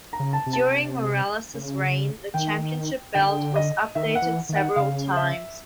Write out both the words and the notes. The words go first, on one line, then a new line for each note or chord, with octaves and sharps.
During Morales's reign, the championship belt was updated several times.
A#5
C#3
A5
C3
A5
C#3
D#3 G5
D3 G5
D#5
D#3 E5
F#5
E3
D#3
F#5
C#3 F5
E5